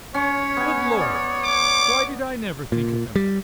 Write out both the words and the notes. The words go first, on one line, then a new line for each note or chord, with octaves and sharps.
Good Lord!--why did I never think of him?
C#4 C#5
B3 G#5
D5
D6
A#2
G3